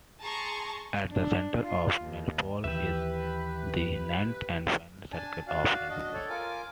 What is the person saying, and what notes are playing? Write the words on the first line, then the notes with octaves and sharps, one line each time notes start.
At the center of Malebolge is the ninth and final circle of hell.
G#4 A5 A#5 C6 C#6
D4
F4
D#2
D#2 E3 G4 B4 E5
D4 G#5 A5
F#4 D5 F5
D4 F#4 D#5
A4 C#5 D5
F4 A#4 G#5 D6